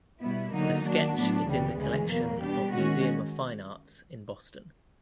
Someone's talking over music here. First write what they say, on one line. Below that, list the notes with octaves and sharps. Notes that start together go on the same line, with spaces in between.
The sketch is in the collection of Museum of Fine Arts in Boston.
B2 G3 B3 E4
D3 F#3 A#3 D#4 F#4
D#3 F#3 A#3 D4 F#4
A2 F#3 B3 D4
D2 C#3 E3 G3 B3
D2 C#3 E3 G#3
E2 B2 F#3 A#3
B2 G3 B3 D4 G4
D#3 G#3 C#4 F#4